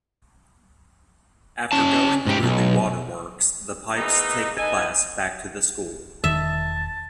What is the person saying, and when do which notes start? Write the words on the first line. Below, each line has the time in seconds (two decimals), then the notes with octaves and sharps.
After going through the waterworks, the pipes take the class back to the school.
1.72 C#4 A5
2.26 G#2 G4
2.43 B1
3.96 E3 G#3 A#3 B3 D#4
4.58 B3 D#4 A4 D#5 G#5
6.24 E1 D#3 E5 A5